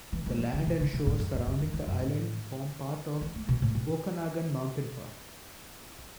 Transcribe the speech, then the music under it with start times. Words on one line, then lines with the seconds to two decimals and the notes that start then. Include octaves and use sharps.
The land and shore surrounding the island form part of Okanagan Mountain Park.
0.13 E3
0.26 A3
0.39 F#3
0.53 D3
0.67 B2
0.80 D3
0.93 B2
1.07 A2
1.20 F#2
1.34 F#2
1.47 F#2
1.60 E2
1.73 E2
1.88 F#2
2.01 A2
3.21 E3
3.35 A3
3.49 B2
3.62 A2
3.75 B2